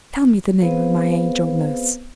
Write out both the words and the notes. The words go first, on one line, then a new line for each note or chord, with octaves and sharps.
"Tell me the name of my angel nurse."
B3 C4 G#4 B4 C5 F5